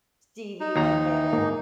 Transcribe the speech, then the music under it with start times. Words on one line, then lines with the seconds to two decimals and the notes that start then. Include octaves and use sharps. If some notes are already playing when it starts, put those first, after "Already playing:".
Stevie Wonder.
0.60 D#4
0.76 D#2 A#5
1.33 G#2 A#3